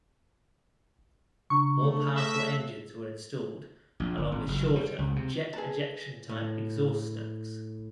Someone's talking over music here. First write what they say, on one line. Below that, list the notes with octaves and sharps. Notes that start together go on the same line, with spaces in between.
More powerful engines were installed along with shorter, jet ejection-type exhaust stacks.
C#3 D4 A#5 C#6
A3
E5 F6 F#6 A#6
A#1
G1
G#1
F#1
G3
C#2
C3
G#4 B4 A5
A2